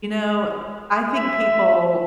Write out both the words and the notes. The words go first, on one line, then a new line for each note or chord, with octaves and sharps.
you know, I think people
E5